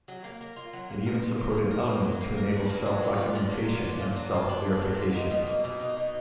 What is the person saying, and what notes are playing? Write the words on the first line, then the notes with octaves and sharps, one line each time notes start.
It even supported elements to enable self-documentation and self-verification.
F#3
A#3
A#4
F4
F#3
A#3
A#4
F4
F#3
A#3
A#4
F4
F#3
A#3
A#4
D4
A#2
F#3
F4
D4
A#2
F#3
F4
D4
A#2
F#3
F4
D4
A#2
F#3
F4
D#4
B2
A#3
B2
D#4
B2